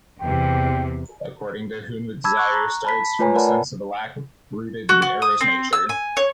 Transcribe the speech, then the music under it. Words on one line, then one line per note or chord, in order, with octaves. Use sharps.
According to whom the desire starts from a sense of lack rooted in Eros nature.
E2 C3 G5
A5 B5 D6 E6 G#6
C#6 F#6
A#5
A5 B5 B6
A3 F4 B4 C#5 G#5 A#5
A#4 D5 F#5 A5 B5
F#4
F#4
D#6
C4
E6
G#5
C#5